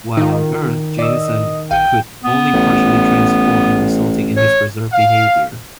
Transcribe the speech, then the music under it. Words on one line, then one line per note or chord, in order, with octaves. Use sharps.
While on Earth Jameson could only partially transform, resulting in his berserk behavior.
D#3 D#4 F4
D5 D#5 E6
A#1 F5 G5 D#7
B3
A1
C#5
F5